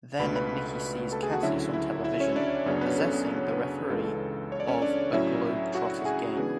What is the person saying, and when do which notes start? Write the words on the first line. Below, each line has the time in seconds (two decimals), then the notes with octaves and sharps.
Then Nicky sees Cassius on television, possessing the referee of a Globetrotters game.
0.19 C#2 B2 A3 D4 B4 B5
0.35 B4 B5
1.12 A4 A5
1.23 G#4 G#5
1.33 F#4 F#5
1.43 D2 D3 F#3 C#4 E4 E5
1.73 E4 E5
2.04 E4 E5
2.20 C#4 C#5
2.36 D4 D5
2.66 F#2 C#3 F#3 B3 C#4 D4 C#5
2.81 B3 B4
2.98 A4
3.13 B3 B4
3.52 B4
3.59 C#4 C#5
3.90 C#2 C#3 E3 G#3 A4
4.05 A4
4.52 C#5
4.60 D5
4.68 C#4 C#5
4.82 D4 D5
5.13 A2 F#3 C#4 E4 E5
5.75 F#4 F#5
6.05 G#4 G#5
6.37 C#3 E3 B3 D4 G#4 G#5